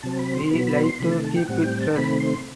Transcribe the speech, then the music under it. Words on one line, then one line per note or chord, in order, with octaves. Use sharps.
We like to keep it fresh.
C3 F#3 C4 A5
B5
C6
B2 F#3 B3 B5
B5
C6
C3 D#3 A3 B5
A5
A5
G5
A2 G3 C4 F#5
G5
A5
C3 D#3 A3 C4 B5
C6